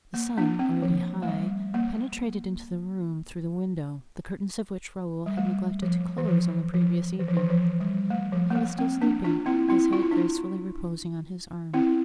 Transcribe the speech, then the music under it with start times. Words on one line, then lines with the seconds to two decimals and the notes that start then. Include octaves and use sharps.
The sun, already high, penetrated into the room through the window, the curtains of which Raoul had neglected to close on the previous evening. He was still sleeping, his head gracefully reposing on his arm.
0.14 A#3
0.37 A#3 D4
0.59 C4
0.82 F3
1.22 A3
1.28 G3
1.74 A#3
5.26 G3
5.37 A3
5.82 F3
6.18 E3
6.28 F3
6.74 F3
7.19 E3
7.28 F3
7.37 E3
7.50 F3
7.80 G3
8.10 A3
8.32 F3
8.50 A#3
8.55 A3
8.79 C4
9.01 A#3 D4
9.24 D4 F4
9.46 C4 E4
9.69 C4 E4
9.93 F4
10.03 E4
10.11 D4 F4
11.74 C4 E4